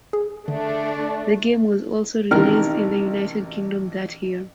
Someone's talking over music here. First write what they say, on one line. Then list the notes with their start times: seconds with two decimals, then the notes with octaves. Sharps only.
The game was also released in the United Kingdom that year.
0.13 G#4
0.48 D3 A3 D4
2.31 A1 C3 D#3 A#4 F6